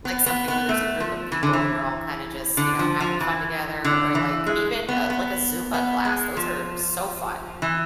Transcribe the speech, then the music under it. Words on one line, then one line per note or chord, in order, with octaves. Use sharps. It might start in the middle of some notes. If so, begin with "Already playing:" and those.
Like, something where there's a group of people and you're all kinda just, you know, having fun together or, like even, uh, like a Zumba class, those are so fun.
B3
B3
B3
A3
F3
E3
D3
E3
D3
F3
F3
E3
D3
E3
G#3
B3
B3
B3
G#3
F3
E3